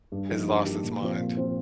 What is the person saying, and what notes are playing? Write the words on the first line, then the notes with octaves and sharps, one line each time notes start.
has lost its mind.
G2
F3 A#3 D#4 G4
G2
F3 A#3 D#4 G4
A#2
F3 C4 F4 C5
A#2
F3 C4 F4 C5